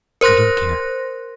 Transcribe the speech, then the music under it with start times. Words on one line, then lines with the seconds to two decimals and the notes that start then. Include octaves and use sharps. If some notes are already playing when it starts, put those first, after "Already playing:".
I don't care.
0.21 A#4 C5 C6 F#6 A#6